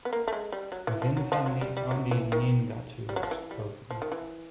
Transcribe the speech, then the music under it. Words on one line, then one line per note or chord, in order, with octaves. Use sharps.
Within the family, only Nheengatu was spoken.
B3
A#3
A3
G#3
G3
F#3
E3
F3
F#3
F3
F#3
G3
G3
F#3
E3
D#3
G3
F#3
F3
E3
G3
F3
D#3
E3